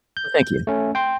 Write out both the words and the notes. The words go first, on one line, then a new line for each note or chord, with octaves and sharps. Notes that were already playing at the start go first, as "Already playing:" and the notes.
Well, thank you.
G6
A3 C#4
G5 C6